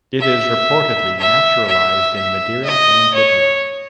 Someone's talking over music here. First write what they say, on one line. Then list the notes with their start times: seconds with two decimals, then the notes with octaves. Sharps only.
It is reportedly naturalized in Madeira and Libya.
0.20 E5
1.19 E5
1.67 E5
2.15 E5
2.64 D#5
3.14 C#5